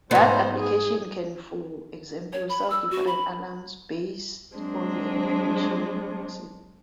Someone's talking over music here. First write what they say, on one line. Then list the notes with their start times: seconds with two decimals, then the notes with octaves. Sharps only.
That application can, for example, sound different alarms based on the information received.
0.11 G#2 B3 D#4 C5
0.58 G#4
2.33 C#5
2.49 B5
2.70 E6
2.91 F#4
3.07 B5
4.54 F#3 G#3 C4 D4